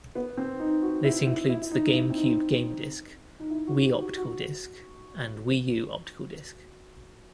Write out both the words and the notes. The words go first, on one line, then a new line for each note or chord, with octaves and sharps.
This includes the GameCube Game Disc, Wii Optical Disc, and Wii U Optical Disc.
B3
C4
D#4
F#4
E4
E4
E4
E4
D#4
E4
C4
D#4
D#4
E4
F#4
G4
F#4
F#4